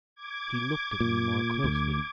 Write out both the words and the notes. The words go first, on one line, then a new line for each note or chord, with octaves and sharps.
He looked at me more closely.
D6 G#6
A#2
D2